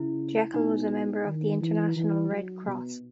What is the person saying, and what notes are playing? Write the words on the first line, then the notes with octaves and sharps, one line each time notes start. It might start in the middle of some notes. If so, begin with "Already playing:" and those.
Jeckle was a member of the International Red Cross.
Already playing: C#3 E4
B2 D#4
D#3
E3
E3
F#3
B2